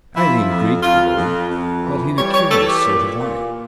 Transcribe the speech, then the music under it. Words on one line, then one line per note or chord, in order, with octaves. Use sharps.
Aileen agreed to it all, but in a curious sort of way.
F3 E4
F2
F2 F4
F2
F2
E3
G3 C#5
C#5
E3 A4
G4
A#2
A#2